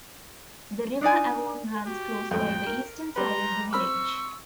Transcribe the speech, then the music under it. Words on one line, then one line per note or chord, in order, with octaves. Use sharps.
The River Avon runs close by the eastern side of the village.
D4 D#4 D5 G#5
F#4 G4
F2 A2 G5
A#4
G3 B4 A#5 C6
C4 B5 C#6 E6 F6